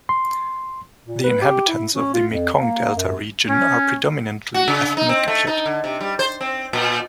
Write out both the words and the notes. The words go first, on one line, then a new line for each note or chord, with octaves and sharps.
The inhabitants of the Mekong Delta region are predominantly ethnic Viet.
C6
A#2
B4
G4
E4
C#4
F4
F2
A#3
F#2
C#4
F#4
C#3
D#4
C4
A3
D#4
D3
C3
G3
C5
C4
A#2